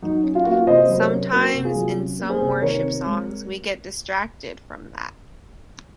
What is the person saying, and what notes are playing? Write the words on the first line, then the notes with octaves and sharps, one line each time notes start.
Sometimes in some worship songs we get distracted from that.
F#3 D#4 F#4
C#4
F4
A#3 F#4
F4
C3 C5 D#5
F#3 C5
A#4 C#5
C#4
A#3 F#4 A#4
C3
F4 G#4
F#3
C#4
A#3
G#4 C5
C3
D#3 A#4 C#5
C4
G#3